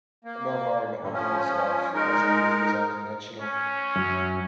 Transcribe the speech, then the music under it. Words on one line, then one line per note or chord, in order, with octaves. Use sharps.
Eberhard Arnold's life as a youth was unconventional.
A#3
G2 D3
F3 C#4
G#3 D#4 A#4
C#4
F#2 F#3